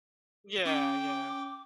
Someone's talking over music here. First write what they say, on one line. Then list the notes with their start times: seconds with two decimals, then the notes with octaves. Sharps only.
Yeah, yeah.
0.65 C#4 G5 D6